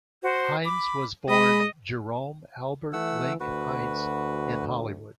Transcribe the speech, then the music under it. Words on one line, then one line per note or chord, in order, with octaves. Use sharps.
Hines was born Jerome Albert Link Heinz in Hollywood.
F#4 C5
B5 D6
G#3 D#5 B5
E3 A3 F#5 E6
D2 F#4 B4